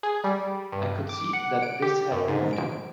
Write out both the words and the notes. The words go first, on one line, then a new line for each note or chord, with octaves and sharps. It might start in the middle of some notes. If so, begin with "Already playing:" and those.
I could see that this had moved him.
G#4
G3
G2
D6
F#5
D7
G4
F#2
G#2
D7